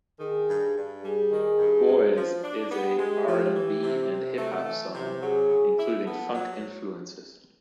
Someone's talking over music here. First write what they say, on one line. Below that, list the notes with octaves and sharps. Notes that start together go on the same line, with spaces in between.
"Boys" is a R and B and hip hop song, including funk influences.
D#3 G#4
G2
G2
G3 G#4
D#3
G2
G#3
F3
D4
B3 G4
G#3
F3
E3
C3
C3
A3
E3
C3
F#3 G#4
C#3
E4
B3 A4
F#3